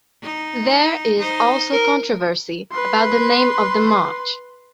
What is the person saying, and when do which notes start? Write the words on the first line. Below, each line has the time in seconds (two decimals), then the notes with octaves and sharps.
There is also controversy about the name of the march.
0.22 D#4
1.18 D#4 C5
1.73 A#4
2.72 B4 C6